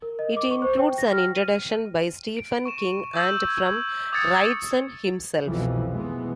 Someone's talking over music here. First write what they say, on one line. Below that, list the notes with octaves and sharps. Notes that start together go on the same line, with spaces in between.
It includes an introduction by Stephen King and from Wrightson himself.
A#4
D#5
D6
C#6
C5
G5
A#6
F6
D#7
D7
C#6 E7
E6 G6
G#6
D6 D#6 G#6 A6 C#7
C2 F2 B2 E3 F3
F1 B2 E3 G#3 B3